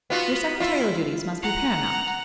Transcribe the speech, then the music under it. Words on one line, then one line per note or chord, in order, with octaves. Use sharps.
Your secretarial duties must be paramount.
B3 F4 F#4
E4 F4
F#5 A#5